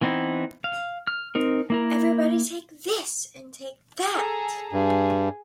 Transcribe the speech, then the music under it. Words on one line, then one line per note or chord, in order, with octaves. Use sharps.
Everybody take this, and take that.
E3 B3 C4 D#4 E4
F5
F6
C4 D#4 A#4
A#3 E4 A#4
G#4 A4 A#5
G2 G#4